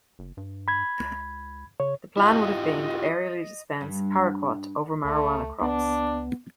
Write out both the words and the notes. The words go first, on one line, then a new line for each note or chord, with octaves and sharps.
The plan would have been to aerially dispense paraquat over marijuana crops.
F#1
G2
B5 G#6
C#2
C#3 C#5
E4 F4 G4 D#5
G2
C#2 A3
C#2 B3 D4